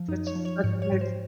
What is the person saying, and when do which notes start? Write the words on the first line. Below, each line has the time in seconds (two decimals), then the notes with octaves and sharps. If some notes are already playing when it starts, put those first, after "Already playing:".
Such a such a nice
Already playing: F3
0.08 F#2 D#4
0.27 C#5
0.36 F3
0.45 C#5
0.64 G#2 C#5
0.82 C#5
0.92 G#2
1.01 C5